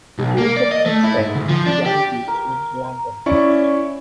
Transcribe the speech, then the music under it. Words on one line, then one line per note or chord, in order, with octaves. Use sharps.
It later transferred to the Young Vic in London.
B1
A#3
D5
D#5
A3
E4
G#2
D2
F3
D4
G4
A#4
C#4 E4 D5 C#6